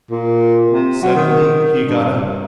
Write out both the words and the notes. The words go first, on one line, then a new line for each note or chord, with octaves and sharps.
Suddenly he got up.
A#2
C3
F#3
D#3
G2